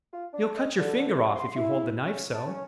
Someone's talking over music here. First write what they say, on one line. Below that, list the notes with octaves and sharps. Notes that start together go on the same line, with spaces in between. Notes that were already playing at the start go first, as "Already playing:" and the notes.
"You'll cut your finger off, if you hold the knife so!"
F4
D4
D#5
D3
C2
C6
E4
C#4
A5
C#4